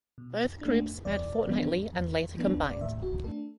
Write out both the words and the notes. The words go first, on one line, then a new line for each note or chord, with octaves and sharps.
Both groups met fortnightly and later combined.
B2
A3 D4
E2 D5
E3 B3 D4
E2
E3 B3 D4
D5
A2 E5
F#4
A3 D4 A4